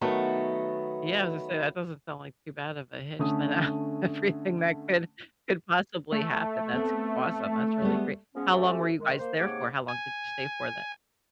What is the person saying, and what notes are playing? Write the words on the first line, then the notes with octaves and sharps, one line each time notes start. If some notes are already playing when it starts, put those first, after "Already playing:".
Yeah, was gonna say, that doesn't sound like too bad of a hitch than, uh, everything that could could possibly happen. That's awesome. That's really great. How long were you guys there for? How long did you stay for then?
D#3 F#3 A3 B3
D3 A3 C#4 D#6
A3
B3 C4
G3 G#3 B3
F3 G#3 B3 C#4
A3 C4 C#4 F#4 G4 A4
D#3 G#3
A#3 C5
G#2 C3 A#3 C#5 F#5 D6
G#5